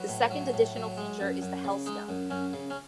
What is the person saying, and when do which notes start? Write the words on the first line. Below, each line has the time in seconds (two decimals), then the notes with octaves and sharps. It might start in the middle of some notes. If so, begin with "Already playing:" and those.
The second additional feature is the Hellstone.
Already playing: F#3 B4
0.09 A2
0.31 F#3
0.54 A2
0.76 F#3
0.97 G#3
1.20 F#2
1.42 F#2
1.64 C#3
1.86 G#3 D#4
2.09 F#2
2.30 F#2 C#4
2.53 C#3
2.70 C#4